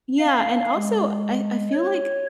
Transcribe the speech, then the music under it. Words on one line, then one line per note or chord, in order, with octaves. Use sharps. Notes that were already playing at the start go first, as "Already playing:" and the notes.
Yeah, and also I I feel like,
F5
G#3
C#5